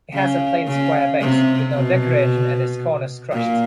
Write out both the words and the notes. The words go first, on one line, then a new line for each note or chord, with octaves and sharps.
It has a plain square base, with no decoration and its corners crushed.
C#3
C#3
C3
B2
A#2